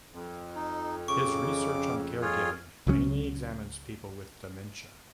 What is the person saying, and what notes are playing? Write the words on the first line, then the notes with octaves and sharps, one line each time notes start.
His research on caregiving mainly examines people with dementia.
F2
D#4
C#3 C#6 D6
F4 G#4 C#5
C#2 F#3 G3 C#4